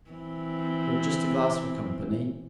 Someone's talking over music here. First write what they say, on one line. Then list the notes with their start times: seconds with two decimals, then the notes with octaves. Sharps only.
"But just a glass for company."
0.11 E3 C4